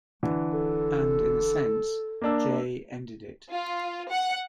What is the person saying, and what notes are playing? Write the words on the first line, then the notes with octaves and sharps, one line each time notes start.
And in a sense, "J" ended it.
D3 E3
A4
A#3 D4 E6
F4
F#5